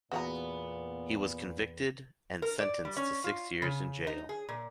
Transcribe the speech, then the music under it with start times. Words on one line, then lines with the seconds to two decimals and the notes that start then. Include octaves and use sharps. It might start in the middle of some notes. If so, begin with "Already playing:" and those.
He was convicted and sentenced to six years in jail.
0.12 E2 A#2 B3 F#4 F#5 A#5
2.42 A#4
2.60 D5
2.85 G3
2.97 C#4
3.24 F4
3.62 C#3
4.07 D#4
4.29 G#4
4.49 A#2